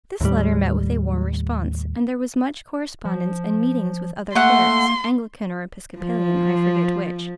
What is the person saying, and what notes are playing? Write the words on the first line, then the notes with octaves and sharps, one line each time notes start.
This letter met with a warm response, and there was much correspondence and meetings with other clerics-Anglican or Episcopalian, I forget which.
D#2 A2 G3
F3
A3 A#3 F#5 C6
F3